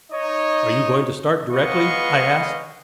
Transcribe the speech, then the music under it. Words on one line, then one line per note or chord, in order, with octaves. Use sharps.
"Are you going to start directly?" I asked.
D#4 C#5 D#5
G#3 B3 B4 D#5 F5 C#6